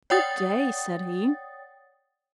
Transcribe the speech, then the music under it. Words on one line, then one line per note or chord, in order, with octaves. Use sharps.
"Good day!" said he.
C#5 D5 F#5 G5 D#6 A6